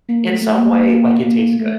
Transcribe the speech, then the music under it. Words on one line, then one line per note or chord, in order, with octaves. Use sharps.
in some way, like, it tastes good.
A#3
A3
A3
A#3
A#3
A3